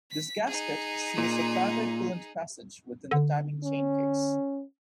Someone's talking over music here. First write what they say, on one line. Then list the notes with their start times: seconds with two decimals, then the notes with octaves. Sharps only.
This gasket seals the primary coolant passage within the timing chain case.
0.11 B6
0.47 D#4 G#4
1.18 A#2
3.11 D3
3.63 C#4